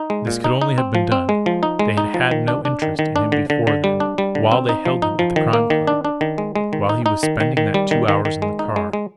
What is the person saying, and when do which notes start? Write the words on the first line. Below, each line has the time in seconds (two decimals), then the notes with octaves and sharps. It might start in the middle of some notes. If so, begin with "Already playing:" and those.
This could only have been done--they had had no interest in him before then--while they held him at the Crime Club, while he was spending that two hours in the car!
Already playing: D#4
0.10 G#3
0.27 A#2
0.44 D#4
0.61 D#4
0.78 C4
0.95 F3
1.12 C4
1.29 G#3
1.46 F3
1.63 D#4
1.79 G#3
1.98 D#4
2.14 F3
2.31 D#3
2.48 D4
2.65 D4
2.82 D#3
2.99 D#3
3.16 D4
3.32 D3
3.50 D3
3.67 D3
3.84 G3
4.00 D4
4.18 G3
4.35 D3
4.52 C4
4.69 D#4
4.85 F3
5.02 D#4
5.19 F3
5.36 D#3
5.53 A#3
5.70 D#3
5.87 D4
6.05 D4
6.21 D#3
6.38 G#3
6.56 G#3
6.73 D#3
6.89 D#4
7.06 D#4
7.23 D#3
7.40 D#3
7.57 D#3
7.74 G3
7.91 D#3
8.08 D#3
8.25 D#3
8.42 G#3
8.59 D#4
8.76 G#3
8.93 G#3